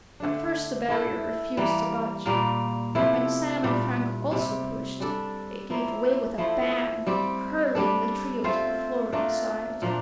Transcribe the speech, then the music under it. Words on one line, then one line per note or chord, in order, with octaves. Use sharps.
At first the barrier refused to budge, but when Sam and Frank also pushed, it gave way with a bang, hurling the trio to the floor inside.
D3 A3 D4
A3 E4 A4
E3 G3 A#3
A#2 G3 A#3
C3 F3 A3 E4
A#2 G3 D4
C3 G3 C4
G3 D4 A4
F3 A#3 E4
F3 A3 E4
G3 C4 G4
G3 D4 A4
A3 C4 F4 C5
A3 D4 F4 A#4
A#2 F3 A#3 D4